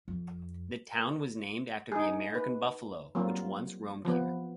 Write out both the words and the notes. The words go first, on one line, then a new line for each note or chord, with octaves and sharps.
The town was named after the American buffalo which once roamed here.
F2
D#4 G#4
B4
F#3 G3 A#3 C4 F4
F3 B3